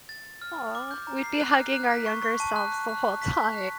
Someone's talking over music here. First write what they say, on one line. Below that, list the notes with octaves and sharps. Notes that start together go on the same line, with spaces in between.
Aw, we'd be hugging our younger selves the whole time.
A6
A6
F6
F6
D6
G6
A#5
C7
F#6
F#6
F#6
B6
C#6
C#6
A5
F#6
F#6
F#6
F#6
B6
B6
F#6